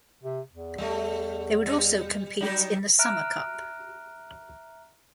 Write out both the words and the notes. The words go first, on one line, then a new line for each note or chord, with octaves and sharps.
They would also compete in the Summer Cup.
C3
E2
G3 A3
G3
F#3 G3 D#4 G4
E5 A#5 F6 F#6 D7